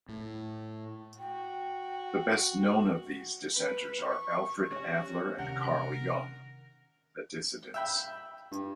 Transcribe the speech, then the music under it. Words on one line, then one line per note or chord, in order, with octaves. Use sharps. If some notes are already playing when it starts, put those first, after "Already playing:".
'The best-known of these dissenters are Alfred Adler and Carl Jung...The Dissidents'.
A2
F#4 G5
B4
C#6
G3 C#4 F#4 C#5
C3 D#3 D4 A#4 F#5
E5 G5 B5
G2